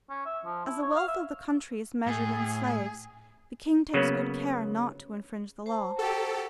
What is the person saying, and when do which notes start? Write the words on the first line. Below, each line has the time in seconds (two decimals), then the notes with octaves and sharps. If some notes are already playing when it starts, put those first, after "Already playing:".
As the wealth of the country is measured in slaves, the king takes good care not to infringe the law.
0.10 C#4
0.26 E5
0.45 F3
0.65 E4
0.82 C#5
0.96 F5
1.07 E5
2.06 A2 G#4
2.64 G#4
3.94 C#3 F#3 A#3 B3
5.66 C5 A5 A#5
5.99 F#4 G4 A4